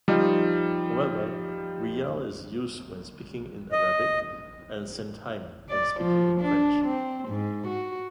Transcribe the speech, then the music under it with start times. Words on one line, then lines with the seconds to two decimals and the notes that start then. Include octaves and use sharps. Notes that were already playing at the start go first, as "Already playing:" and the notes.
However, rial is used when speaking in Arabic and "centime" when speaking in French.
0.08 F3 G3 D#4 F4
3.72 D#5
5.70 D5
6.00 F3
6.41 D4
6.85 C4
7.29 G#2
7.67 F#4